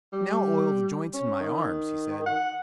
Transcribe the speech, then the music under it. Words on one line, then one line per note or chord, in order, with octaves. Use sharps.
"Now oil the joints in my arms," he said.
G3
C#4
D#3
F#5